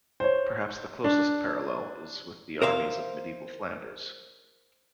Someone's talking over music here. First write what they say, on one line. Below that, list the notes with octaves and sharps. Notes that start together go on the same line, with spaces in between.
Perhaps the closest parallel is with the armies of medieval Flanders.
C5 C#5
D4
A#4 C5 E5 F5